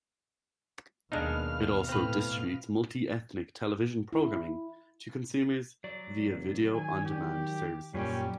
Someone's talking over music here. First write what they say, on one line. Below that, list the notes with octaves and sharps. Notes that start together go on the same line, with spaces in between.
It also distributes multi-ethnic television programming to consumers via Video On Demand services.
D#2 B2 G#3 D4 D#4 F5 F6
A2 C4 B4
E4
F#3 D5
F1
D#3 G#5
G4
F#2 A#2 G3 C#4 G5